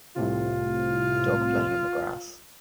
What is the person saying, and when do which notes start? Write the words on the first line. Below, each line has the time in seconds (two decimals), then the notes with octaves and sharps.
A dog playing in the grass.
0.16 C2 A2 C3 F4